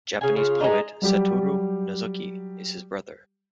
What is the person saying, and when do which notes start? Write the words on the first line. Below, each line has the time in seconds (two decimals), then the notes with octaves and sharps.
Japanese poet Satoru Nozoki is his brother.
0.21 C#3 G#5
0.36 C#3 F4
0.61 G#3 D#4
1.02 F#3 G3 G4